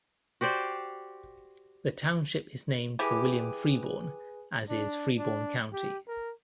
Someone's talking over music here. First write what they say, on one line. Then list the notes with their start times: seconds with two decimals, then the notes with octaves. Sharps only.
The township is named for William Freeborn, as is Freeborn County.
0.41 F#4 G4 C5 D5
2.99 E3 G4 G#4 B4 G#5
4.69 D4
5.17 D4
5.73 G4
6.08 A#4